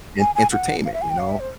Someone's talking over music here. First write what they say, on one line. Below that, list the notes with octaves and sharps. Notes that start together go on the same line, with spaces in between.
en entertainment, you know?
G#5
G#5
F#5
F5
E5
G#5
G5
F5
E5
C5